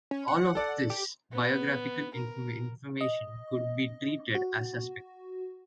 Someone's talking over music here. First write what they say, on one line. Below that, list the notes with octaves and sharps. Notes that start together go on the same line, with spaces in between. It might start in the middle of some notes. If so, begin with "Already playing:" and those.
All of this biographical information could be treated as suspect.
C#4
F#5
A4 D5
G4
B3
A#4
D#5
F#4